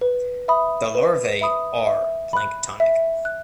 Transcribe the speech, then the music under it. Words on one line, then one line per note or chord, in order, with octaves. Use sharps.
The larvae are planktonic.
B4
E5 B5 D#6
B4
E5 B5 D#6
E5
B5 F#6
E5
F#6